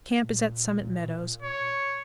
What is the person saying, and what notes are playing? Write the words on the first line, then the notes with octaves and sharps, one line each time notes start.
Camp is at Summit Meadows.
A#2
C#5